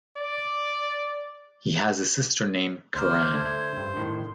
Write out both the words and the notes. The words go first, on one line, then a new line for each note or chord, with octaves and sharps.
He has a sister named Kiran.
D5
D2 C5 A#5 D6 F6
D3 A3 G#6
G2 C6
A2 D#3